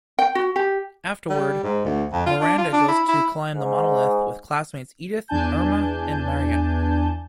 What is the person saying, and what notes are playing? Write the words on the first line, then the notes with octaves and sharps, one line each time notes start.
Afterward, Miranda goes to climb the monolith with classmates Edith, Irma, and Marion.
G5
F#4
G4
G3
G#2
D2
F2
F4
D4
F4
D4
E4
E4
G#2
E2 D4 G#5 A5 G6